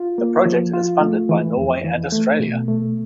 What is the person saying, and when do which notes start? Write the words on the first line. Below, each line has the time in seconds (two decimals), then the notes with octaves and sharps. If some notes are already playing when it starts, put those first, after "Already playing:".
The project is funded by Norway and Australia.
Already playing: F4
0.18 A#3
0.46 F3
0.73 F4
1.01 A3
1.29 E3
1.57 F2
1.84 E3
2.12 A3
2.40 B2
2.68 A3